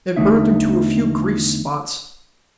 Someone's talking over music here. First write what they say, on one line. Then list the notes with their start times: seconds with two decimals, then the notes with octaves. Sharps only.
It burned him to a few grease spots.
0.17 E2 D3 D#3 A3 D#4 E5